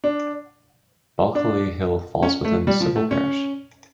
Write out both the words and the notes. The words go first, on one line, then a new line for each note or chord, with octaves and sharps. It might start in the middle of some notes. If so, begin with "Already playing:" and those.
Bulkeley Hill falls within the civil parish.
D4
D4
C#4
A3
G3
F3
A3
C#4